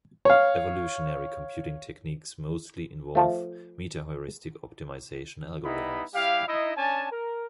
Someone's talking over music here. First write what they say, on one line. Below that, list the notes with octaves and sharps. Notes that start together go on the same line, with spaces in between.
Evolutionary computing techniques mostly involve metaheuristic optimization algorithms.
C#5 F5
F3 A3
G3 B3 D#4 E4 D#5 B5
G3 E4 G4 F5
D#4 E4 D#5
C#4 D4 G#5 A5
A#4